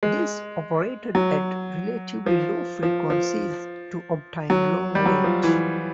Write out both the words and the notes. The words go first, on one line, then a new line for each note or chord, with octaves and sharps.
This operated at relatively low frequencies to obtain long range.
G#3
F#3
F3
F3
F3
F#3
G3
F#3
F3
E3